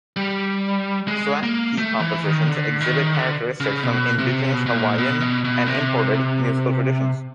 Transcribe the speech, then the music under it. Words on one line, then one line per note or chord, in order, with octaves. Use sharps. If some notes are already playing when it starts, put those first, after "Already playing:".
Slack key compositions exhibit characteristics from indigenous Hawaiian and imported musical traditions.
G3
G#3
A#3
A3
E3
D#3
D3
D#3
D3
C#3
B2
C3
B2
B2
A#2
B2
B2
B2
C3